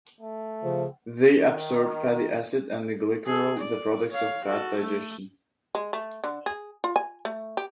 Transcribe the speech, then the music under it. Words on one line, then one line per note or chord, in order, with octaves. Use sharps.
They absorb fatty acid and glycerol, the products of fat digestion.
A3
C#3 F3
D#3
G#4 A4
D5
C#5 F5
F#4 A4
A3
G#3
A3
D3
G#4
F4
G#5
A3
G4